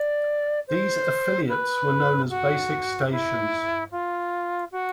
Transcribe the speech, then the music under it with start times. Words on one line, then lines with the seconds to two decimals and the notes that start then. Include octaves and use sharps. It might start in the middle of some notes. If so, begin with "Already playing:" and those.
These affiliates were known as "basic stations".
Already playing: D5
0.67 C5
1.49 B4
2.29 F#4
3.11 E4
3.91 F4
4.72 F#4